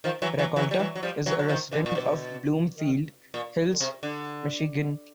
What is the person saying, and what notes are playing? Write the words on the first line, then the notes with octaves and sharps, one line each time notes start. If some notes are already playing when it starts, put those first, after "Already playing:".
Rakolta is a resident of Bloomfield Hills, Michigan.
D#3 F3
E3 F#3
E3 F#3
E3 F#3
G3
E3 F#3
F#3
F3 G3
E3 F#3
F#3
D#3 F3
D3 E3
A#2
B2
A#2
C3
D3